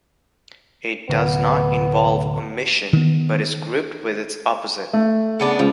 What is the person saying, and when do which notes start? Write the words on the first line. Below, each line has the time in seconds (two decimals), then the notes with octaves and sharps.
It does not involve omission, but is grouped with its opposite.
1.09 D1 D2 C3 B3
2.93 D#3 B3
4.93 A3
5.40 C#3 B3 D4
5.59 C#2 F3